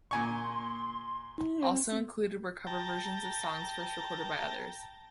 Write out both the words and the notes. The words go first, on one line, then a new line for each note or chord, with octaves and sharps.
Also included were cover versions of songs first recorded by others.
A#2 G#5 C6 C#6
G5 A5 A#5